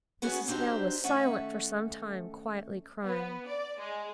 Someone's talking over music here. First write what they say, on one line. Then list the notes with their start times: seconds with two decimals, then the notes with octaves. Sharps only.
Mrs. Hale was silent for some time, quietly crying.
0.22 B3 C#4 F#4 G#4
0.47 C4 D4 D#4 F#4 G4 C5
1.04 D#3 A3 C#4 A4 E5 F#5
3.06 B3
3.48 D5
3.79 G#3